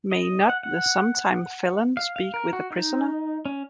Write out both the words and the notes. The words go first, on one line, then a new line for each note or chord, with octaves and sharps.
May not the sometime felon speak with a prisoner?
D#5
F#5
F#5
F5
F5
A#4
F#4
D#4
C#4